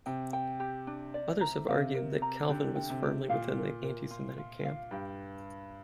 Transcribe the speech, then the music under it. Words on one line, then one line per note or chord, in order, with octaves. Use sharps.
Others have argued that Calvin was firmly within the anti-semitic camp.
C3 G5
G5
G4
D4
D5
A#5
C3 F5
A#4
A#5
D3 G4
G5
C3
G4
A#2 F5
A#4
A#4
F4
F4
F5
G2 G4